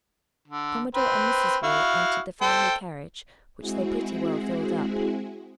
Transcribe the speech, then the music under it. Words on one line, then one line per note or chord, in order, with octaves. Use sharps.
Commodore and Mrs. Waugh entered the family carriage, which they pretty well filled up.
D3
C4 B4
E4 F#4 F5
A4 C5 G5
G#3 C4 E4 F#4 G#4